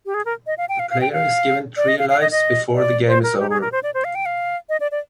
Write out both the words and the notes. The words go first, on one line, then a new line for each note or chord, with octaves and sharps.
The player is given three lives before the game is over.
G4
G#4
A#4
D#5
F5
G5
F5
F5
G5
F5
D5
D#5
F5
F5
D#5
D#5
D5
C5
A#4
G4
G#4
A#4
C5
D5
C5
F5
G5
F5
D#5
D5
D5